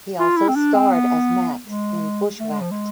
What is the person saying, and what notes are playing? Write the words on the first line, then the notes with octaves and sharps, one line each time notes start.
He also starred as Max in "Bushwhacked".
F4
E4
C4
D4
C4
B3
G#3
A3
G#3
F3
G#3